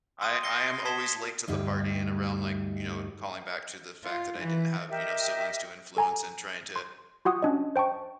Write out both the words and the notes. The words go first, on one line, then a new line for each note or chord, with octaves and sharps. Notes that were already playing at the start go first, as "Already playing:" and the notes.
I I am always late to the party in a realm, like, you know, calling back to the fact that I didn't have, you know, siblings to influence and trying to,
C6 D#6 D#7
A#6 C7 C#7 G7
A5 D#6 G#6 B6 E7 G7
D2 G2 D#4 G4
F4
E3
G4 A#4 D#5 E5
A4 G#5 A#5
C6
F4 F#4 F#5 D#6
C#4 D4 D#5
C5 G5 A5 C#6